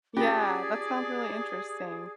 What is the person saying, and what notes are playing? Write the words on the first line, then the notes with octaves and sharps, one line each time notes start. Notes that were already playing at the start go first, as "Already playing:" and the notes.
Yeah, that sounds really interesting.
C#4 F4 G4 G#4 D5 A5